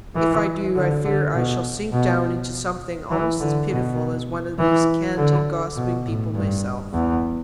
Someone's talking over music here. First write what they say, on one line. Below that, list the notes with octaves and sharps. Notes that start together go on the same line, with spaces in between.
If I do, I fear I shall sink down into something almost as pitiful as one of these canting, gossiping people myself.
E3
D3
D3
B2
B2
E3
D3
B2
E3
D3
B2
A2
G2
E2